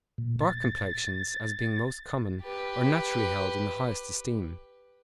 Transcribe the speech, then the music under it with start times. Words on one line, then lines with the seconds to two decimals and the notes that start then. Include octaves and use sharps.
Dark complexions, as being most common, are naturally held in the highest esteem.
0.18 A#2
0.41 A6
2.42 G4 B4